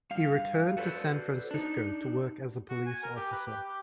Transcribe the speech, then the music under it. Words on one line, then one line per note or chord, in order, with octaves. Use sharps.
He returned to San Francisco to work as a police officer.
G2 F5
F#4 A4 B4 C5 D5
D4 D#4
F#4
G#5
A#4
G4
B4
G4
G4